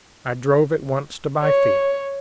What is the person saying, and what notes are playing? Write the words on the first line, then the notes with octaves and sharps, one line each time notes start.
I drove at once to Byfield.
C#5